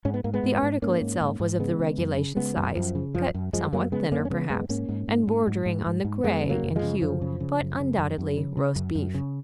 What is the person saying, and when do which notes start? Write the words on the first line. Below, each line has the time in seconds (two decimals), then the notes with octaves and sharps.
The article itself was of the regulation size, cut somewhat thinner, perhaps, and bordering on the gray in hue, but undoubtedly roast beef.
0.05 G#2 C#4
0.14 B3
0.24 G#2 A#3
0.34 G#3 B3
0.44 G#2
0.63 G#2
0.82 G#2 A#3 C#4
1.01 G#2
1.21 G#2
1.40 G#2
1.59 C#3 G#3 B3
1.79 C#3
1.98 F#2
2.17 C#3
2.37 C#3 G#3 B3
2.57 F#2
2.76 F#2 F3
2.95 C#3
3.15 F#2 F3
3.34 F#2
3.53 F#2 F3 G#3
3.73 F#2 F#3 A#3
3.92 C#3 G#3 B3
4.12 F#2 A#3 C#4
4.25 C#4
4.30 C#3 G#3 B3
4.50 F#2 G#3 B3
4.69 G#2 A#3 C#4
4.89 G#2
5.08 G#2
5.27 G#2
5.47 G#2
5.66 G#2
5.86 G#2
6.04 G#2
6.24 F#2 G#3 B3
6.44 C#3
6.49 F#3 A#3
6.63 F#2
6.76 F3 G#3
6.83 C#3
7.02 F#2 F3
7.22 C#3
7.40 C#3
7.60 F#2
7.80 C#3
7.99 F#2
8.18 F#2
8.37 C#3
8.57 C#3
8.76 F#2
8.95 F#2
9.14 C#3